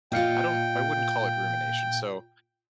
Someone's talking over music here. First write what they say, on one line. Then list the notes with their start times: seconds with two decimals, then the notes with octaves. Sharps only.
I don't I wouldn't call it rumination. So,
0.12 A#2 F4 D#5 F5 G5 C#7